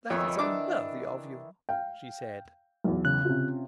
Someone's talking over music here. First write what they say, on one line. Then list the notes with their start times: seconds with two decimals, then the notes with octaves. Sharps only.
"That is unworthy of you," she said.
0.10 F2 D#3 E3 C#5 E5
0.39 D4 D6
1.69 F5 G5
2.84 B1 E2
3.05 C#3 F#6
3.25 C3 C#4 F4